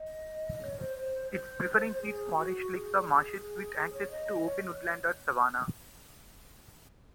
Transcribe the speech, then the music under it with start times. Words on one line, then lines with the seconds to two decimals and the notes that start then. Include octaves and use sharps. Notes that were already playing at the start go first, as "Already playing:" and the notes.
Its preference is forest lakes or marshes with access to open woodland or savanna.
Already playing: D#5
0.62 C#5
0.80 C5
0.97 C5
1.32 C5
2.02 G#4
2.37 F#4
2.71 G#4
3.41 G#4
3.76 G#4
3.93 C#5
4.11 D#5
4.45 C#5